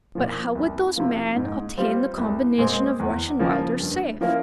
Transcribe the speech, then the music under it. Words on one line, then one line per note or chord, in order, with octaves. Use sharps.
"But how would those men obtain the combination of Rush & Wilder's safe?"
A#2 F3
C2
C3 F3 A#3
G#2
G3 C4 F4
C2
A#2 G#3 C4
E2
C#3 F3 A#3
G2
F3 A#3 C#4 E4